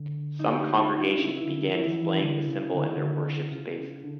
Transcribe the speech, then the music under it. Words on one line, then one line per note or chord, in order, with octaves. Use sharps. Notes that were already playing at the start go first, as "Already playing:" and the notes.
Some congregations began displaying the symbol in their worship spaces.
Already playing: D3
D#4
G4
F#4
F4
F4
C#3 E4
E4
D3
F3
E4
D#3
E3
D3
C#3
D3 F#4
D#3
D3
C#3 F4
C#3
D3